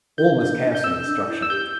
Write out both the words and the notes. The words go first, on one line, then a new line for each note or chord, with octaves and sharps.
All was chaos and destruction.
E4 G6
D4
D4
G6
C4 E6
D4
E4
E6
G4 G6